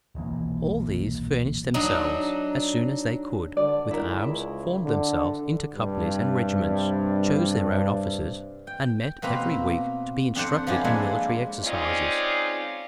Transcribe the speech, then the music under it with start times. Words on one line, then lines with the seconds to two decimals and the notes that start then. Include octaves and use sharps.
All these furnished themselves, as soon as they could, with arms, formed themselves into companies and regiments, chose their own officers, and met every week to be instructed in military exercises.
0.15 D#1 B1 E3 A#3
1.74 F#3 D4 D#4
3.57 D3 D5
3.91 C#2 E4 A#4
4.84 D3
5.74 G2 C3
8.67 G5
9.22 B2 A#3 C4 B4 A#5
10.35 F2 D4 A4 C5 F#5
10.67 F3 B3 D4 E4 G#5
10.84 G#3 A#3 D5 E5 F#5 G#5
11.64 G#3 C4 C#4 D#4 F4 D5